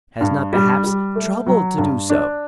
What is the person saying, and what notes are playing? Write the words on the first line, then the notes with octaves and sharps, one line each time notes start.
Has not perhaps troubled to do so.
G2
G3
G3
A3
F#3
G2
D4